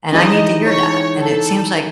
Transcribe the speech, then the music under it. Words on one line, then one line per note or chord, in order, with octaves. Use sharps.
And I need to hear that, and it seems like
E3 G#3 D#4 D#5
C#5
A4